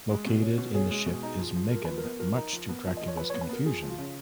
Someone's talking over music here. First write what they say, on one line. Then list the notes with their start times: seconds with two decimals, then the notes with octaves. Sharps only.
Located in the ship is Meggan, much to Dracula's confusion.
0.10 G#3
0.26 B2
0.42 C#4
0.58 B2
0.74 C#4 G#4
0.91 G#3
1.06 B2
1.23 D#4
1.39 F3
1.55 F3
1.71 F3 A#4
1.85 F3 B4
1.97 A#4
2.03 B3
2.20 F3 A#4
2.36 D#4
2.53 F3
2.69 B3
2.84 F3
2.97 F3 D#5
3.08 C#5
3.17 F3 B4
3.30 B3 C#5
3.41 B4
3.49 B3 A#4
3.65 F3 G#4
3.82 F3
3.90 F4
3.98 C#3